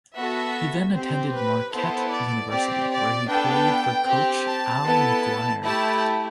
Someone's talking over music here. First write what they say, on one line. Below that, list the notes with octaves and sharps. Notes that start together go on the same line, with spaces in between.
He then attended Marquette University, where he played for coach Al McGuire.
B3 F#4 A4 E5
C4 G4 C5
B4
B3 E4 A4 C5
D5
C4 G4 D5
D5
B3 D4 A4 G5
C4 G4
A5
B3 E4 A4
A3 E4 G4 A5